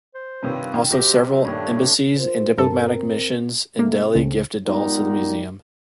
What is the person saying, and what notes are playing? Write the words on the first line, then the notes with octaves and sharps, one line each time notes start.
Also several embassies and diplomatic missions in Delhi gifted dolls to the museum.
C5
G2 C3 D#3 F4 B4 C#5
D#3 C#4
B1 C4 G4 A#6
G2 A#2 D#3 A3 D4 C#5
F4 A#4 C5
G2 C4 A4 A#4
C3 A3 A#3
C#2
A#2 G3 G#3 B3 D#4